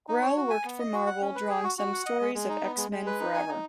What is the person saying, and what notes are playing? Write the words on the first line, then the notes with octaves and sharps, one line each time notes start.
Grell worked for Marvel drawing some stories of "X-Men Forever".
D#4
C#5
F#4
G#5
B3
D#5
F#4
F#5
C#4
B4
G#4
F#4
F#4
F#5
D#5
G#3
G#3
D#4
B3
G#3
G#3
B4
D#4
G#5
D#4